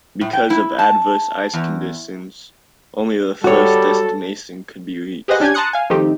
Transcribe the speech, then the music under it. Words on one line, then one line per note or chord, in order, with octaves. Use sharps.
Because of adverse ice conditions, only the first destination could be reached.
A2
G5
E4
A5
E2
G3 F#4 A4 C#5
G4 G#4 B4 C5 D#5 F#5
C#4 D4 G4 G#5 G#6
A5 A#5 C6 D#6 F#6 C#7
F5 G#5
D#3 F3 A3 C4 D#4 G4